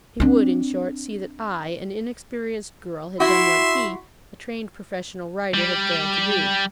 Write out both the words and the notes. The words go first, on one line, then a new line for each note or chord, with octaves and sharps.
He would, in short, see that I, an inexperienced girl, had done what he, a trained professional writer, had failed to do.
C4 D4
E4 F#4 E5 C6
G3